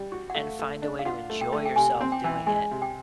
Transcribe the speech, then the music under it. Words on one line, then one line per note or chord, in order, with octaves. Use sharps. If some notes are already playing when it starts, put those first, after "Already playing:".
and find a way to enjoy yourself doing it
Already playing: G3
F#4
F#5
A3 F5
A3
D4
F5
F4 F#5
A3
G5
A3
G5
C3 G#5
C4
G5
E3
G#3 G#5
C3
G5